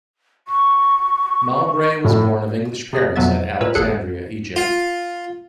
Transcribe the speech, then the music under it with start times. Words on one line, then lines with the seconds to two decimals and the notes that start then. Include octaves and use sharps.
Mowbray was born of English parents at Alexandria, Egypt.
0.48 C#6
2.05 A2
2.93 C3 G#4 A#6
3.16 F2 B2 F#3 B3 E5 A6
3.61 A#2 B4 C#5 E6
3.75 G1 E2 G#4 A4 F#6 C#7
4.56 F4